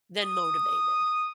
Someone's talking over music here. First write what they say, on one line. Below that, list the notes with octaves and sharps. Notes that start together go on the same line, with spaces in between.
than motivated?
D#6